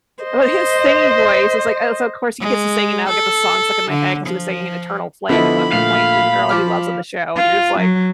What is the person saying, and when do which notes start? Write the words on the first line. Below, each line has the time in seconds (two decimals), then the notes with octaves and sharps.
But his singing voice is like, "Oh, so of course he gets to sing, and now I'll get the song stuck in my head," 'cause he was singing an Eternal Flame at one point to the girl he loves on the show, and you're just like,
0.24 C5 D#5
2.40 G#3
3.08 A4
3.91 D3
4.27 F3
5.29 D3 F3 B3 E4 A4 D#5 B5
5.73 A#2 A3 F5
6.49 F3 D6 F6
7.36 F4
7.79 F#3